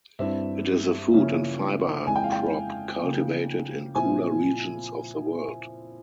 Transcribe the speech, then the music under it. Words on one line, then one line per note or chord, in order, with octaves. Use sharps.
It is a food and fiber crop cultivated in cooler regions of the world.
G2 G3 C4 E4 E5
C#3 F3 A#3 C#4 E4
F2 E3 G#3 E4 G#5
G5
F5
G5
C#3 F3 A#3
A#2 F3 C4 E4 G#5